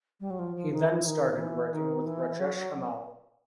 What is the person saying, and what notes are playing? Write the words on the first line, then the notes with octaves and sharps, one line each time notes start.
He then started working with Rajesh Hamal.
G3
F#3
F3
F3
D#3
E3
D#3
D#3
E3
D#3
E3
F#3